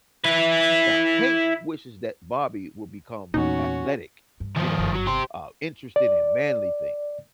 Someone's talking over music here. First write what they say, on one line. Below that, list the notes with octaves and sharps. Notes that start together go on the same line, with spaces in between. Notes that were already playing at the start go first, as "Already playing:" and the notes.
Now, Hank wishes that Bobby will become athletic, you know, uh, interested in manly things,
E4 B4
E2 A#2 C#4 D#4 F#4
G2
D#3 F3
G1 F#2
F#3
G4 C5
D5